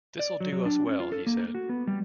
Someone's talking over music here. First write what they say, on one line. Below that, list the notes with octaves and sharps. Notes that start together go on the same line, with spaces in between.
"This'll do us well," he said.
D5
F#3
F#3
D4
C#4
F4
A4
A#3
F#4
B3
G3